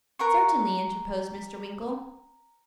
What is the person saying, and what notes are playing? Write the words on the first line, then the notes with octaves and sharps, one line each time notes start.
'Certainly,' interposed Mr. Winkle.
A#4 F#5 C#6